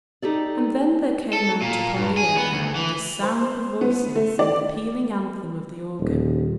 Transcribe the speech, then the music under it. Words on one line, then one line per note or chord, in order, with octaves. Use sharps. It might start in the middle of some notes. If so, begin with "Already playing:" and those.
And then there came out upon the air the sound of voices and the pealing anthem of the organ.
D#4 G4 A4 D5
A4
A#2
G2
G#4
B3
D2
E3
C5
B3
A3
D5
D#1